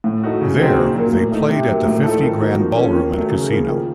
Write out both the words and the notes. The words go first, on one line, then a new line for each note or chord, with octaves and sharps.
There, they played at the Fifty Grand Ballroom and Casino.
A2
A3 D#4 F#4
C#3
F#3 C4 D#4 F#4
A#2
F#3 A#3
A2
A3 D#4
C3
F#3 A#3
A2
F3 A3 D#4 A4
D#3
A#3 D#4 F#4 A4
F3
A#3 C#4 A4
D#3
F#3 A3
C#3
F3 A#3
D#3